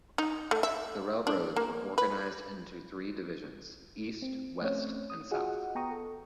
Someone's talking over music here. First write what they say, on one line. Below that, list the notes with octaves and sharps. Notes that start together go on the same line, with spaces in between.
The railroads were organized into three divisions: East, West, and South.
D#4
A3
E5
D4
A#3
B4
C4
A3 C4 C#4 C#5
D#6
F4 F#4 G#4 D#5 F#5
B3 G5 A#5 C#6 D#6
A4